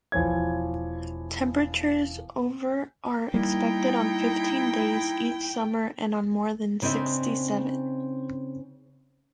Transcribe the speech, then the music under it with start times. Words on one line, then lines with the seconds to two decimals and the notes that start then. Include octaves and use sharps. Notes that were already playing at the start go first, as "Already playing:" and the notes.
Temperatures over are expected on fifteen days each summer and on more than sixty-seven.
0.12 E1 E3 F3 C#5 G#6
3.34 G3 A#3 D#4 E4 G5
6.82 C#3 C4 D4 D#4 E5